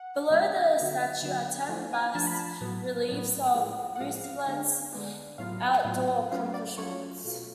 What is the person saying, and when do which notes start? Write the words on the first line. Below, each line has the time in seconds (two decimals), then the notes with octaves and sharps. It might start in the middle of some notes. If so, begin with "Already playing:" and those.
Below the statue are ten bas reliefs of Roosevelt's outdoor accomplishments.
Already playing: F#5
0.30 C#3 F3 G#3 B3 F4
0.77 D3 F#3 B3
1.22 D3 F#3 B3
1.69 F3 A3 D4 F4
1.93 G#5
2.15 F3 A3 D4 F4 A5
2.27 B5
2.39 A5
2.61 A2 F#3 B3
3.08 A2 F#3 B3
3.54 A2 F3 G#3
3.96 F#5
4.00 A2 F3 G#3 F5
4.24 F5
4.47 D3 G#3 B3 D4
4.93 D3 G#3 B3 D4
5.38 A2 F#3 B3 F4 F5
5.84 A2 F#3 B3 F4
6.31 F#3 A3 C#4 F4 F5
6.54 D5
6.77 F#3 A3 C#4 F4 C#5
7.24 B2 A3 F4